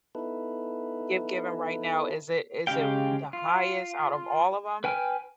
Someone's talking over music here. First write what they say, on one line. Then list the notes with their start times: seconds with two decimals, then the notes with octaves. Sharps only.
give given right now, is it is it the highest out of all of 'em?
0.15 B3 D#4 E4 A4 B4
2.67 C#3 G#3 G4 F5 G5
3.33 F4
4.84 B4 G5 G#5 F6